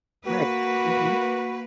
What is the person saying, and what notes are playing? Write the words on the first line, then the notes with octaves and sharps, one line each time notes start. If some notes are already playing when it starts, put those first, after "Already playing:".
Right. Mhm.
A#3 F#4 B4